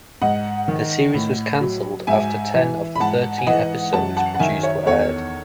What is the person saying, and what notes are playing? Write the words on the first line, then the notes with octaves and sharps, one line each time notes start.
The series was canceled after ten of the thirteen episodes produced were aired.
G#2 D#5 F#5
D#3
A2
F#3
G#2 E5 G#5
E3
B5
G#2 F#5 A5
G#5
E3 D#5 F#5
F#2 F#5 A5
F#5 A5
F#5
D#3 E5 G#5
C#5 E5
E2 A4 C#5